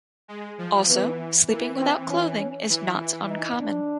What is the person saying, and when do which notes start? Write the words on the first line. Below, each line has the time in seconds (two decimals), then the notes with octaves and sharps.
Also, sleeping without clothing is not uncommon.
0.28 G#3
0.58 F3
0.88 E3 B3
1.48 E3 A#3
1.79 C4
2.09 C#4
2.39 C#4
2.69 E3
2.99 E4
3.28 D#4
3.59 D4